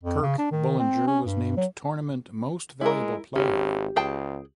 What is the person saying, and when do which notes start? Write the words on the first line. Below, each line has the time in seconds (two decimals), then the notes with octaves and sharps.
Kirk Bullinger was named Tournament Most Valuable Player.
0.03 F2
0.22 C#3
0.38 D4
0.51 D#3
0.79 C4
1.07 C#4
1.26 G2
1.57 F#3
2.81 G#3 E4 A#4
3.35 G#1 C#4 G4
3.96 C#2 G#4 G5 A5